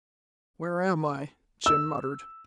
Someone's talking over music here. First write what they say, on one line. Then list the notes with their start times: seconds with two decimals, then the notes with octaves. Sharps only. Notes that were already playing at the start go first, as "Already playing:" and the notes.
"Where am I?" Jim muttered.
1.66 E6